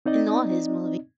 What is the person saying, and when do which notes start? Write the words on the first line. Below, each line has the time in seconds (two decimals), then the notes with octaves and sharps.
In all his movie,
0.06 C4 D#4 D5 D#5